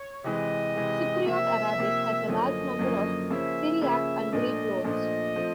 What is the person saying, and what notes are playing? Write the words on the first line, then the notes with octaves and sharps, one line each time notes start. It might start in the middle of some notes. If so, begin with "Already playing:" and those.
Cypriot Arabic has a large number of Syriac and Greek loans.
Already playing: C#5
C3 E3 G#3 D#5
C3 E3 G#3
C3 F3 A#3 E5
C3 F3 A#3
F#2 D3 F3 A#3 C#4 D#5
F#2 D3 F3 A#3 C#4
C#3 F3 A#3 C#4 E5
C#3 F3 A#3 C#4 E5
A#2 F3 A3 D4 D#5
A#2 F3 A3 D4 D#5
F3 A3 C4